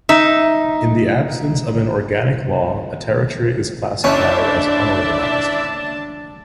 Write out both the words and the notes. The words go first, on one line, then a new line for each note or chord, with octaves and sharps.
In the absence of an organic law a territory is classified as unorganized.
D#4 E5
F#1 C#4 D4 D5 E5 A5